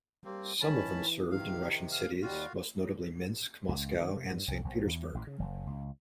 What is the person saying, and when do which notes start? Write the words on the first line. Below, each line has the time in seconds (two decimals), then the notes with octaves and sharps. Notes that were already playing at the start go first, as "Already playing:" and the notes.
Some of them served in Russian cities, most notably Minsk, Moscow and Saint Petersburg.
0.25 G3 A#3 C4
0.61 A2 D#3 E3 C#4 A5 B5
1.31 C3 D#3 F5
1.91 F5
2.22 D#2 G3 F4 F#4 F5
3.69 C#2
4.01 D#3
4.16 C3
4.31 G2
4.48 C2
4.64 A#1
4.87 E2
5.15 A1
5.27 C#3
5.39 F#1
5.67 C#2